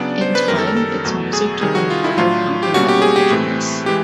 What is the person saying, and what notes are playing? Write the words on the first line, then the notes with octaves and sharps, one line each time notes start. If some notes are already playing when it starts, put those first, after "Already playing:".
In time, its music took on harder punk and metal edginess.
Already playing: C#3 F#3 B3 D4 D5
C5
B4
F#2 D#3 G3 B3 A#4
A4
A#4
A4
E2 B2 F#3 A3
G#4
C3 D#3 G3 G#4
F#4
F4
E4
A2 F#3 A3 D4 F4
G4
B2 G3 A#3 C#4 F#4
G4
G#4
G4
A2 E3 A3 C4
E3 G#3 G4